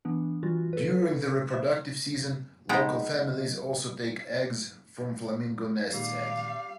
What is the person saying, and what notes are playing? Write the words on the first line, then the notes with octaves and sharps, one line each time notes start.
During the reproductive season, local families also take eggs from flamingo nests eggs.
E3 B3 D4
E3 G3 F4 F#4
A4 B4
C5 E5
G#3 B3 D#4 C5 G5
A#2 D#3 G3 G#3 F5